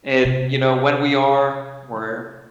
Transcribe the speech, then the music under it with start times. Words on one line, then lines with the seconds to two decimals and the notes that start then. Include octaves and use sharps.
And, you know, when we are, we're
0.23 C3 C#4